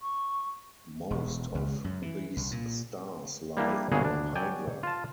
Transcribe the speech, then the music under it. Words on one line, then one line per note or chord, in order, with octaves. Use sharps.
Most of these stars lie in Hydra.
C#6
E1
C#2
F#2
E3
C2
A#2
G3 A#3 D4 E4
G1 A#2 C#3 F#4 G#4
D2 D4
F#3 D5 G5 G#5
F4 A5